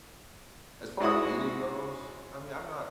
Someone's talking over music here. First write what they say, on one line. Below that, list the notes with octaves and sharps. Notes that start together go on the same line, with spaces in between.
As far as eating goes, I mean, I'm not
G#2 E4 F#4 D#6